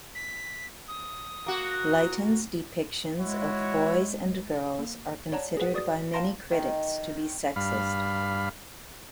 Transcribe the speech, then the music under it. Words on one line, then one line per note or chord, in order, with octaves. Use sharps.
Blyton's depictions of boys and girls are considered by many critics to be sexist.
B6
D#6
A#3 F#4
G#3 E4 F#4 C#5
A#3
C#5 D5 F#5 A5 A#5
G#4 B4 F#5
F#4 D5 D#6
F5 G5 A5 A#5 C6 A#6
D#3
G2 F5 B5